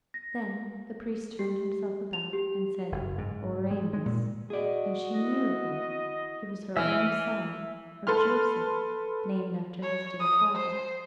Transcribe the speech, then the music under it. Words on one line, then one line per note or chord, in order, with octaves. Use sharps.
Then the priest turned himself about, and said, "Oremus." And she knew him--he was her own son--her Joseph, named after his dear father.
A#6
G4
F7
G4
F#1
G#2
G#3
G#3
A#2
F#4 G#4 D5 D#5
E4 D#5
E3 E5 F6
A4 B4 C6 F6
C#5
D#6
C5